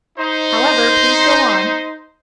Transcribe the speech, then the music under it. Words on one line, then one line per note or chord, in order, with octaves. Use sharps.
"However, please go on."
D#4 C5